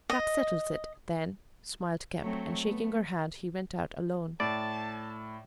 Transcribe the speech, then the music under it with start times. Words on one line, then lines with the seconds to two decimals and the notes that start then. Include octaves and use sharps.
"That settles it, then," smiled Kemp; and shaking her hand, he went out alone.
0.10 D#5
2.21 F#3 A3 C4
2.64 A3 B3
4.40 A2 D5 A5